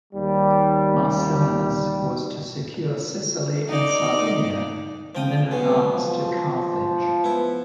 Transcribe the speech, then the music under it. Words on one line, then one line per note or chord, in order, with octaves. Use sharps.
Marcellinus was to secure Sicily and Sardinia and then advance to Carthage.
D#2 G3
D#4 D5
F3 G5 D#6
B1 B2 G#3 B3
F3
B3 E4